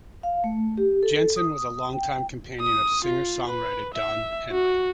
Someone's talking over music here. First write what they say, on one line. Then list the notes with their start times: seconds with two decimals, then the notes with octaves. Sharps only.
Jensen was a longtime companion of singer-songwriter Don Henley.
0.23 F5
0.44 A3
0.77 G4
1.03 A4
1.36 D#6
1.93 G5
2.60 D#6
3.04 F4
3.47 B4
3.94 E5
4.51 F#4